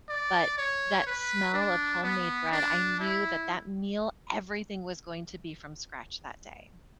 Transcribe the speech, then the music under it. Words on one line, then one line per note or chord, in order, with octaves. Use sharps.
but that smell of homemade bread, I knew that that meal, everything was going to be from scratch that day.
D5
C#5
B4
D4
B3
D4
E4